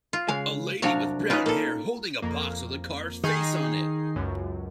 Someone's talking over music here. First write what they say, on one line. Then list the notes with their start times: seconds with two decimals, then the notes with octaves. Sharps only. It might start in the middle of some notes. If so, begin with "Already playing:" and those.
A lady with brown hair holding a box with a carved face on it.
0.13 F4
0.28 C#3 G#3 F5 G#5
0.82 C2 F#3 D4 F#4 C#5 F5
1.30 C#4 D#4 F4 B4
1.46 A#3 A4
2.22 F2 A#3
3.24 D#3 D#4 G#4 C7
4.16 C#2 F#2